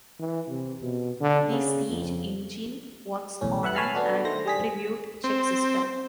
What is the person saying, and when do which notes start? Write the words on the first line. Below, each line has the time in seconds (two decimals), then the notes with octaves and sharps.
The Siege Engine works on an attribute check system.
0.19 E3
0.49 C3
0.83 B2
1.21 D3
1.50 C#3
1.89 F2
3.41 B1 E2 A2 C#4
3.63 B4 E5 F#5 F#6
3.76 C#5 G#5 A5 B5 F6 C7
3.93 B3 D4 F#4 A4
4.25 D#3 A3 C5 A#6
4.46 G3 G#4 B6
5.24 C4